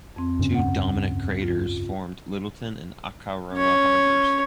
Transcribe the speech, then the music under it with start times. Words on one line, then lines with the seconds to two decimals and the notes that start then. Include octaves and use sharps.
Two dominant craters formed Lyttelton and Akaroa Harbours.
0.16 F2 C4
0.39 G2 C#3 C#4
0.53 D2 F#5
1.42 F4
3.53 C#4 C#5